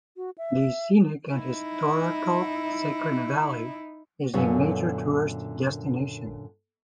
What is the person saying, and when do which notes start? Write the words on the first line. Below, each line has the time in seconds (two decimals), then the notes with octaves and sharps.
The scenic and historical Sacred Valley is a major tourist destination.
0.17 F#4
0.38 E5
1.32 D#4 E4
4.34 F#2 A#2 D3 B3 C#5